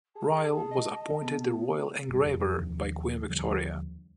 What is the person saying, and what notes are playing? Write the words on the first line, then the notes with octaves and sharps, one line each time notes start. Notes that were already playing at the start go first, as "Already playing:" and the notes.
Ryall was appointed the royal engraver by Queen Victoria.
G#4 A5
D#5
B3
F#1 C3 G3
F2
D#2 C3 D#3 F3
D#2 D3 F3 G3